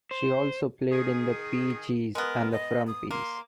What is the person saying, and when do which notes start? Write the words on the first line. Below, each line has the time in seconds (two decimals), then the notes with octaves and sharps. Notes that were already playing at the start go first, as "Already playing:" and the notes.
She also played in The PeeChees and The Frumpies.
0.11 C5
0.92 D#3 G#4
2.15 G#3 B3 A#4
2.52 D#5
2.87 D#6
3.11 A#3 C6